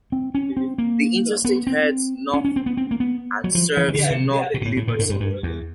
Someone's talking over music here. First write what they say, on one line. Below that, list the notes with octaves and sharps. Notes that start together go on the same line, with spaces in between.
The interstate heads north and serves North Liberty.
C4
C#4
C4
A#3
B3
C4
C#4
C#4
C4
B3
C4
A#3
B3
F#3
F3
E3
D#3
C#3
D3
C3
B2
A#2
A2
A2
A#2
G#2
G2
G2
E2